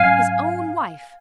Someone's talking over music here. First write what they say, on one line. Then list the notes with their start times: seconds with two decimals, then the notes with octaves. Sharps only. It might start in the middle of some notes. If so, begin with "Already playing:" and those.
His own wife!
Already playing: G#2 F#3 C#4 F5 G#5